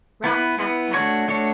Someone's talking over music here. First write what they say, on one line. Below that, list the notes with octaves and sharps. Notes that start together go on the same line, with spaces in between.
Rap! tap! tap!
B3 E4 B4
B3 E4 B4
A3 D4 F#4 C#5
A3 D4 F#4 C#5